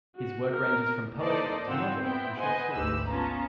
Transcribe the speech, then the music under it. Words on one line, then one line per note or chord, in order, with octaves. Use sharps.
His work ranges from poetry to novel and short stories.
F#4
A#4
A#3 D#4 A4 C5 D5 D#5
G#2 D#3 C4 F4 F#5 E6
B3 C4 E4 G5
B4 C5 D#5 F#5 G#5
G#1 D2 D#4 G4 B4 E6
B3 C#4 F4 A5 A#5